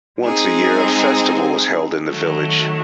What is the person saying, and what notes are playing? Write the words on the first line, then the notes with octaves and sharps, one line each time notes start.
Once a year a festival was held in the village.
G#3 C4 D#4 G#4
D#3 F#3 A3